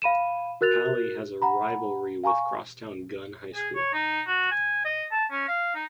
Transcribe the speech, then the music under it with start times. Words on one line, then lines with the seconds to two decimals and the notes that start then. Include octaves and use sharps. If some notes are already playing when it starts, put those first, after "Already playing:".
Paly has a rivalry with crosstown Gunn High School.
0.02 F5 B5 D#7 E7
0.61 F#4 A#4 F#6 A6 F7
1.42 F#5 A#5 B5
2.24 F5 G#5 A#5 C#6
3.55 G#4
3.75 C#5
3.94 D#4
4.27 F#4
4.52 G#5
4.85 D#5
5.12 A5
5.31 C#4
5.48 F5
5.75 D#4